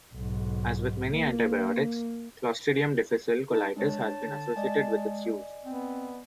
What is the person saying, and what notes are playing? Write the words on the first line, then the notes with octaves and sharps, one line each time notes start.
As with many antibiotics, "Clostridium difficile" colitis has been associated with its use.
B1 G#2
A#3
D#4 A5
G#3 D4 C#5 A5
D3
G#3 D5 D#5 G#5
B3 C4